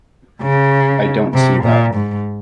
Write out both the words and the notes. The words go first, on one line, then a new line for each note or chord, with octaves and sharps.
I don't see that.
C#3
C3
A#2
G#2